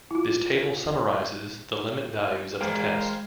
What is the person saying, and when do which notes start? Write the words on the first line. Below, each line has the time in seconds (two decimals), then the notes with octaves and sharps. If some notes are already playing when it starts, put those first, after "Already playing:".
This table summarizes the limit values of the test.
0.11 E4 F4
2.61 G#3 G#4 A#4 C5 F5 G5